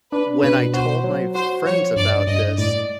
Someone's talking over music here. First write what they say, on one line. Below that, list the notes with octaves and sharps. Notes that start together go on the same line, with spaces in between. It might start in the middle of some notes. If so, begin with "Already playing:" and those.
when I told my friends about this,
D4 B4
B2 B4
F#4 C5
F#3
F#4 C5
F3 C#5
G2 D5
G2 D#5
A2 D5